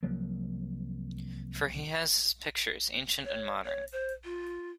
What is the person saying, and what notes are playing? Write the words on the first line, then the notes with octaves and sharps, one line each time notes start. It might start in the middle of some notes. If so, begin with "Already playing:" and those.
For he has his pictures, ancient and modern.
C2 F3 F#3 A#3
C#5
C#5
C5
F4